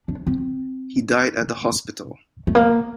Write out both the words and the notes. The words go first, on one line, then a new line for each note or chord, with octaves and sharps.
He died at the hospital.
D4
C4
A3
A#3